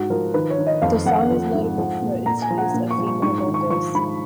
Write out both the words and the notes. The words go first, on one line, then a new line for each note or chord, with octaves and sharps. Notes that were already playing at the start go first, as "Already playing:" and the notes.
The song is notable for its use of female vocals.
Already playing: G#2 F#4
F3 A#4
D#3 B4
C#5
D#3
D#5
F2 F5
F2 F#5
F3
G#2
F3
A#2
A#2 A#5
G#5
F3
F#5
A#2
C#6
F3
C#6
G#2 C#6
C#6
D#3
C#6
F3 C#6
G#2 B5